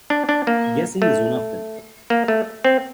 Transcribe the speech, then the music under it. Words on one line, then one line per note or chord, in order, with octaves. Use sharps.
Guessing is one of them.
D4
D4
A#3
A3
A#3
A3
C4